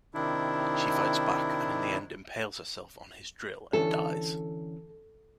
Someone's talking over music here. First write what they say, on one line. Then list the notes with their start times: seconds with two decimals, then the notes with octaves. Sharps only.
She fights back and in the end impales herself on his drill and dies.
0.14 C3 D#3 D4 E4
3.73 D3 E3 C#4 A4